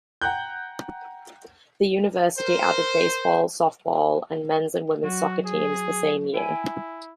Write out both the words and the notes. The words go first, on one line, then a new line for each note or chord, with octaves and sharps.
The university added baseball, softball, and men's and women's soccer teams the same year.
F#5 G5 A#5 F#6 G6
A#4 C5
F#3 F#4
G#4
E4 G5 G#5